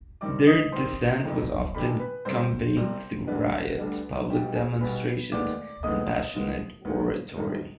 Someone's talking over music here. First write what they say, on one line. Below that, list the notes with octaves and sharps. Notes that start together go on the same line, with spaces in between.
Their dissent was often conveyed through riots, public demonstrations, and passionate oratory.
G2 D#3 G3 C4 D5 D6
D#5 D#6
G2 D#3 G3 C4 C5 C6
G1 F2 C3 D#3
G1 F2 C3 D#3 B5
G#5
B4 B5
C2 C3 G3 C4 C5
C2 C3 G3 C4
D2 D3 G3 B3 D4 B4
D2 D3 G3 D4
B1 B2 G3 G4 G5
G#4 G#5
B1 B2 G3 B4 B5
F1 D#2 D#3 G#3 B3 D5 D6
F1 D#2 D#3 G#3 B3 D#5 D#6
D#2 D#3 G#3 B3
D#2 D#3 G#3 B3
G#1 G2 D#3